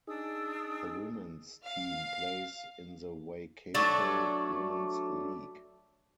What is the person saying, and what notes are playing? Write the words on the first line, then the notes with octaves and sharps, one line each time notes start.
The women's team plays in the Waikato Women's League.
D4 D#4 G#4 D#6 E6
F5
F#3 A3 D4 D5